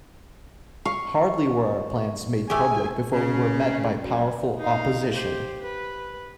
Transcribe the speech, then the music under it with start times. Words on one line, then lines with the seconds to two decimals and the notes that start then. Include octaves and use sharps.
Hardly were our plans made public before we were met by powerful opposition.
0.85 F5 C#6
2.50 A3 G4 G#4 G#5
3.13 C#3
4.02 F#2
4.57 D#4 F5
5.11 G4 C5
5.62 B4